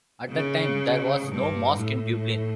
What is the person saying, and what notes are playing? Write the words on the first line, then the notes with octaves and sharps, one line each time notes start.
At that time there was no mosque in Dublin.
C#3
G2
A2